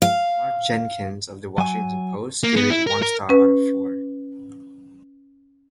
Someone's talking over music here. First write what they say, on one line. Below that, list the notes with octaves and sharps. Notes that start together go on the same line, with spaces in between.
Mark Jenkins of "The Washington Post" gave it one star out of four.
F5
F#3 G#5
A#3
B3
E4
A#4
A#4
C#4 B4